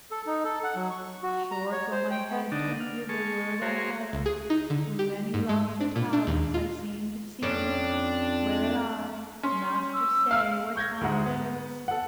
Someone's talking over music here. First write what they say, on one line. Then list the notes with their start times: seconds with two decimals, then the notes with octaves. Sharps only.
Short while my head turned thitherward I held When many lofty towers I seemed to see, Whereat I: "Master, say, what town is this?"
0.11 A4
0.27 D#4
0.45 A4
0.64 F#5
0.76 F#3
0.90 C#6
1.23 F#4
1.51 A#5
1.72 C#5
1.92 C5
2.11 G5
2.31 B3
2.52 D3 D4 D#4
2.80 F6
3.09 G#3 A5 C#6
3.62 G#3 F#4 A#4 C5 C#5
4.13 C#2
4.26 G#4
4.50 D#4
4.70 D3
4.99 G4
5.34 G#2
5.49 G#3
5.81 D4
5.96 A#2
6.13 D4
6.27 D#2
6.54 F4
7.43 F2 C#4 D4
9.43 C#4 C6
9.93 E6
10.31 F5 F6
10.76 C#6 G6 G#6 A#6
11.01 D2 G#2 G#3 F#5
11.26 B3
11.88 A4 F#5